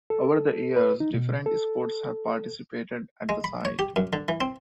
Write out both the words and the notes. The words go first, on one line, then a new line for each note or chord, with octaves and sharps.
Over the years different sports have participated at the site.
A4
B4
D#4
B2
A4
G#3
B5
C#5
G4
F#2
D3
E3
C4